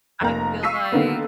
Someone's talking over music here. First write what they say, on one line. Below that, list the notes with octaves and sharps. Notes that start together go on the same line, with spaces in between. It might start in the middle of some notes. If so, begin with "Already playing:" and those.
I feel like
F1 A#3 A#5
F5 C#6 E6 B6 C7 D#7
D3 D#3 A#3 B3